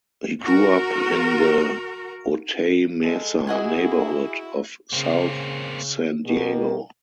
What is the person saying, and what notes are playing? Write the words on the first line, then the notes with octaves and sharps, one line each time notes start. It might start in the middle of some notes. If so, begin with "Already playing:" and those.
He grew up in the Otay Mesa neighborhood of South San Diego.
F#4 A#4
G#3 A4
E4 F#4 G#4 D#5 F#5 G#5
C#3 A#3 C4
B2 G4 A#4